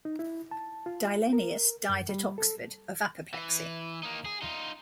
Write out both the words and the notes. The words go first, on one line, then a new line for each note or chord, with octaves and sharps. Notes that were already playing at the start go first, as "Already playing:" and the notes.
Dillenius died at Oxford, of apoplexy.
D#4
E4
A5
F4
A#4
F#2
G3
A4
E3
A#3 D#4
G#4
D#4 F4